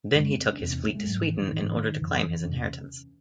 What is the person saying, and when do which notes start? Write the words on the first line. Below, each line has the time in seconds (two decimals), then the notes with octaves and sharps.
Then he took his fleet to Sweden in order to claim his inheritance.
0.15 F#2 C#3 G#3
0.31 C4
0.53 C#4
0.60 E2 C3 C4
0.72 C4
0.83 A3
0.95 G#3
1.07 G#2 F#3
1.22 E3
1.37 D#3
1.53 G#2 E3
1.76 D#3
1.98 F#2 C#3 E3
2.45 E2 C3 C#4